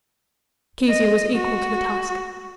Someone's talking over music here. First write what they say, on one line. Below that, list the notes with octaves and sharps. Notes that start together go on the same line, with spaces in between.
Kezia was equal to the task.
D#5
F#4